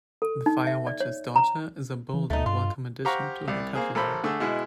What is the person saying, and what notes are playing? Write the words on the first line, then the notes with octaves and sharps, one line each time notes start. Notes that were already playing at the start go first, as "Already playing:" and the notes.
The Firewatcher's Daughter is a bold and welcome addition to her catalogue.
A4
D#4
E5
D5
C#5
A#5
E3
D2 A3 D#4
G2 F4
G4 C5 F5 F#5 A#5 C#6
C2 D5
A#3 C4 G#4
A1 A4 A#4 C5 B5
D3 A3 G#4 E6
B2 G#3 E4